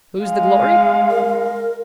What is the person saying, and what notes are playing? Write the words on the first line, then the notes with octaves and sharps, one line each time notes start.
Whose the glory?
G#3 F5
A#4